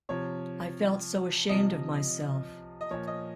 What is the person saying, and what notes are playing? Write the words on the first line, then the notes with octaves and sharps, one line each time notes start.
I felt so ashamed of myself.
C3 F3 C#5
C3 F3 D#5
D#5
A#2 F3 C#5
D#5